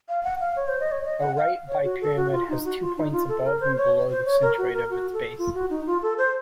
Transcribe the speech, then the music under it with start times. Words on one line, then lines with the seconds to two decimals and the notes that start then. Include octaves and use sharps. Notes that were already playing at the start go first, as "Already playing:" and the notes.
A right bipyramid has two points above and below the centroid of its base.
0.09 F5
0.24 F#5
0.41 F5
0.56 C#5
0.68 C5
0.80 D#5
0.92 C#5
1.05 D#5
1.21 F#5
1.37 F5
1.68 C#5
1.84 F#4
2.01 A4
2.17 F#4
2.32 F4
2.48 D#4
2.65 F#4
2.82 F4
2.97 D#4
3.13 F4
3.29 A4
3.45 A#4
3.61 C5
3.78 C#5
4.09 C5
4.25 C#5
4.42 A#4
4.58 F#4
4.74 A#4
4.90 F#4
5.13 A4
5.38 F4
5.54 F#4
5.70 D#4
5.87 F4
6.02 A4
6.18 C5